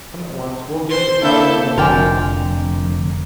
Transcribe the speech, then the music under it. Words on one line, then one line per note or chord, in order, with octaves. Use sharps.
Come at once; we'll give the cows another lift.
C5 C6
D3 A#3 E4 A4 E5 G6
F1 F2 D3 F#4 A#4 D5 G5 G#5